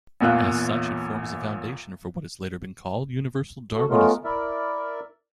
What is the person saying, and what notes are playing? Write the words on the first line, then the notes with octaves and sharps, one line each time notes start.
As such, it forms a foundation for what has later been called universal Darwinism.
A1 E2 A#2 A#3 F4 F#6
A3 F#4 A4
G#3 A3 B3 C#4 F4 A#4
E4 A#4 D5 E5